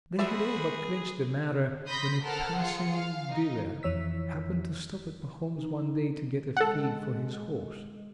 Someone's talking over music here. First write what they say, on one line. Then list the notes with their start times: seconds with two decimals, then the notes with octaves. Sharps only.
They had all but clinched the matter, when a passing dealer happened to stop at Pahom's one day to get a feed for his horse.
0.19 F#4 G#4 B4 C5 D5 E5 B5
1.87 B5 C6 D#6 G6 A#6 B6
2.24 A4 A#4 C5 F#5 A5 F6
2.59 F4 G#4 C#7
2.92 F5
3.30 D#4
3.83 F2 E3 C#5 E6 B6
5.54 D#4
6.57 G#3 A4 F#5